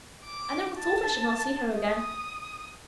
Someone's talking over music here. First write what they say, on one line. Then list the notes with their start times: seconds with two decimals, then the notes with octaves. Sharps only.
I never thought I should not see her again.'
0.25 D6
0.79 A5
1.80 D#6